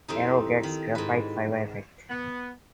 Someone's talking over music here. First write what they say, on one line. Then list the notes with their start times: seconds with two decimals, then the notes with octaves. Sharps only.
Aero gets graphite fiber effect.
0.08 F2 C4 D#4 E4 G4 A4
0.63 D#3
0.95 G#2 B4
2.10 B3